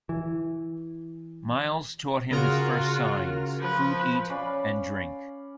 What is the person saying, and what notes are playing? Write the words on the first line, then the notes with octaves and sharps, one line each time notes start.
Miles taught him his first signs, "food-eat" and "drink".
E3
C#3 F4 F#4 A#4 F6
F3 B4
C#4 D5 F5 B5